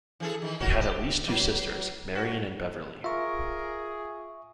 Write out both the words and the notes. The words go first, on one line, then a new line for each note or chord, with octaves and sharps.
He had at least two sisters, Marian and Beverly.
E3 G#4 A4
D#3 E3
F#4 A#4 C#5
G4
F#3 E4 B4
F#4
F4 G#4 A#4 E5 C#6